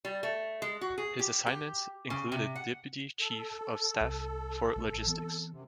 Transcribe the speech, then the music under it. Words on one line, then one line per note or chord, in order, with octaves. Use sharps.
His assignments included Deputy Chief of Staff for Logistics.
G3
A3
G#3
F#4
G#4
G4
G4
C#3
C3
F#5
A4
C2
A#1 A3
A1
E3 B3 C4
F#2 C3